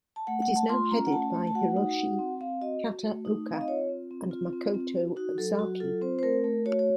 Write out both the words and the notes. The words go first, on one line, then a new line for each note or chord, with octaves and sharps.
It is now headed by Hiroshi Kataoka and Makoto Osaki.
A5
A3 F#5
F#5
A3
A5
F4 C6
C#4 A#5
F#5
A3 A5
A3
A5
F#4 F#5
D#4
F#4
C4
C4 F5
F#4 D#5
F#4
A3
D#4
C4
F5
D#5
F4 C#5
C4
C4
F4
C4
C4
F#4
D#4 F#4
F#3 A4
F#3 F#4
F4 A4
C4 C5
C5
A3 A#4
A3
F#4 C#5
C#5